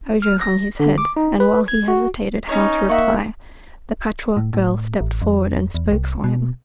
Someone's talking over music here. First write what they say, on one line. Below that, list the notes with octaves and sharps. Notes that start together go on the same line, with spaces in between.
Ojo hung his head and while he hesitated how to reply the Patchwork Girl stepped forward and spoke for him.
F6
A#6
D3
D6
D#4
B4
G#6
F#4
C#4 D#4 C#5
A#3 E5 F#5 C#6
A2
A2
A1
F2
E2
C2
B2